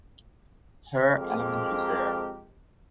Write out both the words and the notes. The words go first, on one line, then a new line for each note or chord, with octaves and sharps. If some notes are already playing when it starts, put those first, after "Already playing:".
Her element is air.
F2 G#3 G4 A#4